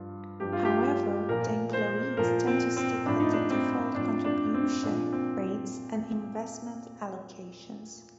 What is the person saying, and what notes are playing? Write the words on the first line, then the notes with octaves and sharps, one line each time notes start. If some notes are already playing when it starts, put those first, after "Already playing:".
However, the employees tend to stick at the default contribution rates and investment allocations.
Already playing: G2 F3 F4
G2 F3 G4
F4
G4
A#2 F3 A#4
C5
A#2 F3 A#4
C4
C4
A2 F3 D4
D#4
D4
C4
A2 F3 D4
D4
C4
A#2 F3 D4
C4